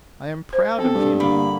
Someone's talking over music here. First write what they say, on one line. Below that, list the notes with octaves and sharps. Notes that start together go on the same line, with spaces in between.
I am proud of him.
C5
B3 C4 A4
G2
D3 A#3 B5